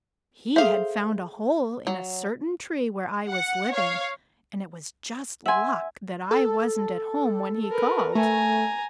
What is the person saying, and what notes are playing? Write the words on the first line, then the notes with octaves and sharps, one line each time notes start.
He had found a hole in a certain tree where I was living, and it was just luck that I wasn't at home when he called.
G#4 A4 C5 E5 F5
F#3
F#5
C#5 F5
E5 F#5 G#5 C6
A4
A#4 B4
A3 G#5 A#5